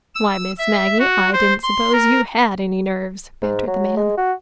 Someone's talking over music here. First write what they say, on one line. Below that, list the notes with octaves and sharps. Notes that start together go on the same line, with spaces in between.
"Why, Miss Maggie, I didn't suppose you HAD any nerves," bantered the man.
E6
E5
F#4
C5
C6
A#4
G#2
F#3
G#3
F#4